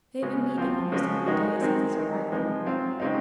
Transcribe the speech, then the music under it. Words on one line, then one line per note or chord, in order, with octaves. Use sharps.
They had been meeting almost every day since his arrival.
C#3 G#3 C#4 F#4
F3 C4 F4
C#3 F3 G#3 C#4 F#4
D#3 G#3 D#4 F#4
D#3 G#3 C4
D#3 G#3 C4 D#4
C3 F3 G#3 D#4
F#3 C4 F4
C#3 G#3 C4 D#4